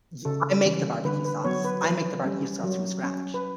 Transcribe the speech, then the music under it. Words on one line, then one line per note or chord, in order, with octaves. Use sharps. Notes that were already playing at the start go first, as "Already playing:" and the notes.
y I make the barbecue sauce. I make the barbecue sauce from scratch.
C#3 A4
E3 G3 C#4
D3 B4
B4
F#3 B3 C#5
B4
E3 B4
G3 C#4
F#3
C#4
B4